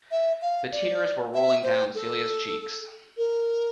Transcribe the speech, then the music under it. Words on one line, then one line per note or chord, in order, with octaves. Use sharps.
The tears were rolling down Celia's cheeks.
E5
F5
D5
E5
C5
A4
A#4